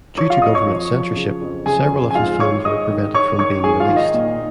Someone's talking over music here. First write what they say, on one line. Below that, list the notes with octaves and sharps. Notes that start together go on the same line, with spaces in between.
Due to government censorship several of his films were prevented from being released.
F3 C#5 C#6
F4 F5
F2 D#5 D#6
C#5 C#6
F3
F3
C#3
F2
C#3 G#4 G#5
F2
G#5
G#2 F4 F5
D#3 C#5 C#6
G#2 D#5 D#6
D#3
D#3 C#5 C#6
D#3 C#5 C#6
G#2 G#4 G#5
F4 F5
D#3
D#4 D#5
A#2